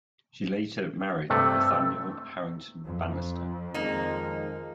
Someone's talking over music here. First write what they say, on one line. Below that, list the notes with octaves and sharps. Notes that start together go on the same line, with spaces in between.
She later married Nathaniel Harrington Bannister.
G2 C3 A3 E6
F2
D#3 F3 G#3 A#3 D#4